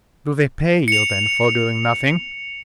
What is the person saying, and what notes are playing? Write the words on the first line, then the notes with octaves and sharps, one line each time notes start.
"Do they pay you, then, for doing nothing?"
C#7 F7